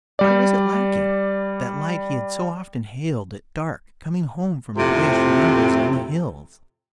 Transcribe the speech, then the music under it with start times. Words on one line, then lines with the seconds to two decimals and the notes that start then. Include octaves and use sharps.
Why was it lacking, that light he had so often hailed at dark, coming home from boyish rambles on the hills?
0.19 G3 D5
4.77 F2 A2 C3